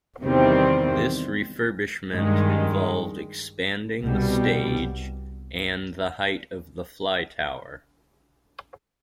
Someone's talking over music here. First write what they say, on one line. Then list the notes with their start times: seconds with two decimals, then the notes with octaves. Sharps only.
This refurbishment involved expanding the stage and the height of the fly tower.
0.22 E2 C3 D#3 G3 C4
2.12 G2 D#3 G#3
4.03 C2 B2 G3